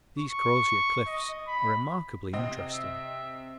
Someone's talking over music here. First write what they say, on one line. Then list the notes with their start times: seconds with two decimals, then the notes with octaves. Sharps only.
These Crozier cliffs are remarkably interesting.
0.19 C#6
1.07 D#5
1.48 B5
2.33 C3 C4 D#5
2.73 E5